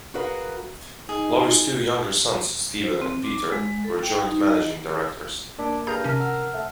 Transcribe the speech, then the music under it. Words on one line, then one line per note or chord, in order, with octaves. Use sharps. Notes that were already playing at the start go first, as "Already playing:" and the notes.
Lowy's two younger sons, Steven and Peter, were joint managing directors.
F#4 G#4 A#4 B4 F5
D#4 G#4
C5
C4
D6
G#3
A4
G5
D#4
D#5
A#3 D4 A#4
G2 G#4 A5 A#5 F6 G6 A#6
C3 C#4 A#4
F#5 E6 F6
A3